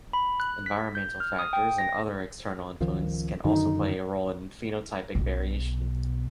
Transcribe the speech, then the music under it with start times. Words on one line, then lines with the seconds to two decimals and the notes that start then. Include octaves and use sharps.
Environmental factors and other external influences can also play a role in phenotypic variation.
0.13 B5
0.40 F#6
0.66 B6
0.95 G6
1.20 F6
1.39 D#6
1.53 G5
1.78 A#6
2.80 C#2 D#3 F3
3.44 F#2 D3 D#3 D#4
5.15 B1 B2